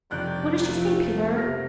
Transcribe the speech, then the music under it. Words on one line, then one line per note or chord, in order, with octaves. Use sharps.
"What does she say, Peter?"
F1 D#3 G3 D5 F#6 G6
F3 A3
C3 F6 A#6